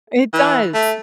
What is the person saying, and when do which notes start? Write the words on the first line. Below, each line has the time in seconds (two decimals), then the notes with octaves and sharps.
It does.
0.33 E3
0.74 A3